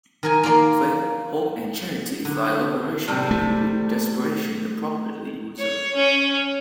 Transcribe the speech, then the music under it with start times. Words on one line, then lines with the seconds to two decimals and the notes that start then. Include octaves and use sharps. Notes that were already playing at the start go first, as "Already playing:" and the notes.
"Faith", "Hope" and "Charity" fly operationally, with "Desperation" appropriately in reserve.
0.23 D#3 A#4 G#5
0.43 A#3 F4 D5 C6
2.25 D3
3.08 A2 C3 G3
3.31 A3
5.59 C#5
5.95 C#4